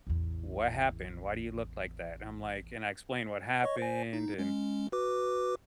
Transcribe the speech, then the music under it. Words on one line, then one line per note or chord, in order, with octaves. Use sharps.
"What happened? Why do you look like that?" I'm like and I explained what happened, and,
A1 E2
C#5 D#5 C#6
C5 G#5
D#4
G#3 C#4
F#4 B4 D6